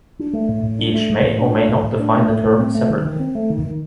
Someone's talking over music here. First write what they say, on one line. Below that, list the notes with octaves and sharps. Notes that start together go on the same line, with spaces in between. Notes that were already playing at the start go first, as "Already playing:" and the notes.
Each may or may not define the term separately.
D4
A3
A2
A2
D4
A3
A2
A2
D4
A3
A2
A2
D4
A3
A2
A2
C4
A3
D#3
D#3
C4
A3
D#3
D#3